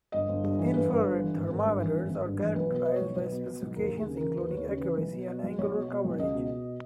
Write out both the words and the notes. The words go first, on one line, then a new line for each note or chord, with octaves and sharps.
Infrared thermometers are characterised by specifications including accuracy and angular coverage.
G1 D#5
G1
G2
E3
G1 B4
G1
G2
E3
G#1
G#1
G2
E3
G#1
G#1
G2
E3
B1 B4
B2
B4
B2 D#5
B1 C#5
B1 B4
B2
B2
B1
D#2 A#4
D#2
G#4
C#3
A#4
E3
D#2 B4
D#2 C#5
C#3
B4
E3
B1
B2
B2
B1
B1 C#5
B2
B2
B1
C#2 D#5
B2
B2